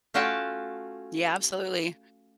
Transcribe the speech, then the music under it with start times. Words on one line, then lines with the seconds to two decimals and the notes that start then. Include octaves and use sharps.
Yeah, absolutely,
0.14 A3 C#4 F4 F#4 G5 A5